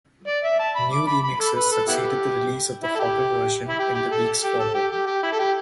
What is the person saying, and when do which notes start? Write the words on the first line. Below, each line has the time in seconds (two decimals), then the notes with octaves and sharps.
New remixes succeeded the release of the "Hotter" version in the weeks following.
0.27 D5
0.44 E5
0.59 A5
0.75 B5
0.92 D6
1.07 B5
1.24 B5
1.40 A4
1.56 B4
1.72 A4
1.88 B3 E4 G4
2.83 E4
2.95 A4
2.99 G4
3.68 E4
3.79 G4
3.95 G4
4.11 A4
4.43 G4
4.59 A4
4.75 G4
4.91 G4
5.07 G4
5.23 E4
5.33 A4
5.39 G4